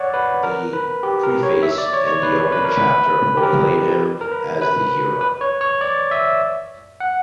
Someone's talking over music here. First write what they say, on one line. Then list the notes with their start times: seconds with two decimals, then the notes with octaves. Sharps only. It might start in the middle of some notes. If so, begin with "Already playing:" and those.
The preface and the opening chapter proclaim him as the hero.
Already playing: C#5 D5 F#5
0.14 B4
0.43 A#4
0.73 B4
1.03 G4
1.23 A#4
1.43 C#5
1.63 E5
1.78 D5
1.93 C#5
2.08 C#5
2.23 B4
2.52 B4
2.64 A#4
2.76 B4
3.37 G4
3.43 A#4
4.21 A#4
4.32 B4
4.62 B4
5.21 B4
5.41 C#5
5.61 C#5
5.81 D5
6.11 E5
7.00 F#5